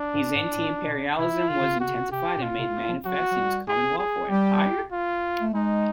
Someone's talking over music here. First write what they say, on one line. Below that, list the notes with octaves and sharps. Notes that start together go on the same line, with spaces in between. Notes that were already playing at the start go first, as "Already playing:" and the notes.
His anti-imperialism was intensified and made manifest in his Commonwealth or Empire?
Already playing: D4
G#2
G#2
A2
B2
C3 E4
C#3 F4
D3
C#3
C3 F#4
C#3
C3
C3 G4
A#2
B2 F4
C3
F3
F#3 F#4
F#3
G3
G#4
G#4
G3 G4
F4
A3
G#3 D#4